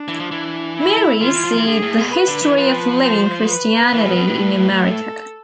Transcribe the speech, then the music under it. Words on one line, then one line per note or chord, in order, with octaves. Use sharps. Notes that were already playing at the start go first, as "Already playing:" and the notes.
Marie see the History of Living Christianity in America.
Already playing: D4
E3
F3
E3
E4
E3 F4
E3
F3
E3
D3 G#4
A2
B2
B4
D3
E3
F3 B4
C5
B4
E3
B2
B2
A2
A4